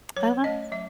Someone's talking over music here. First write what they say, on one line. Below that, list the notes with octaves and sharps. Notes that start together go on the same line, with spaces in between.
Oh, that's
F#3 C#5
A3 C#4 D#5
F#3 E5